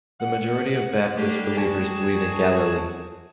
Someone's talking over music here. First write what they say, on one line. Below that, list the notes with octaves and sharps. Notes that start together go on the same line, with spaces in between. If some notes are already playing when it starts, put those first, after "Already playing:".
The majority of Baptist believers live in Galilee.
F#5
G3 A3 A#3 D4 G4
F#4 G#4 G#5 A5 G#6